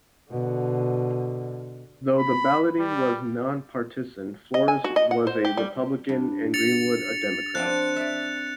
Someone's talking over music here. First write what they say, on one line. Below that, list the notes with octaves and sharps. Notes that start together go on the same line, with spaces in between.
Though the balloting was nonpartisan, Flores was a Republican and Greenwood a Democrat.
B2 D3
B5
G3
D#5
G#5
F#4
D#5
F#5
C5
G4
G3
G2
A6 C#7 F7
F3 C4 D4 F#6
D5 E5